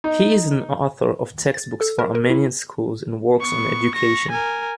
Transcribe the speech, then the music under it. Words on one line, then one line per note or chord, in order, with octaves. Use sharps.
He is an author of textbooks for Armenian schools and works on education.
D#4
A6
A4
A#4
A#4
E4
B3 C#6
C#6 A#6
A#4 G#5